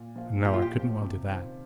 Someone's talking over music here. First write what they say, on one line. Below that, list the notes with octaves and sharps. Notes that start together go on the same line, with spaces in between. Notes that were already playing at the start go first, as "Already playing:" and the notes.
No, I couldn't well do that.
Already playing: A#2
F3 A#3 F4
A#2 G4
F4
G4
F3 A#3 F4
C3
D#3 C4 F4